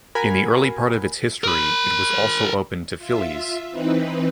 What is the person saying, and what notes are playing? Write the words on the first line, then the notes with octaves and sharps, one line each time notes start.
In the early part of its history it was also open to fillies.
F#4 A#4 G#5 B5
A#4 B5
F4 E5
E3 C4 D#4 B4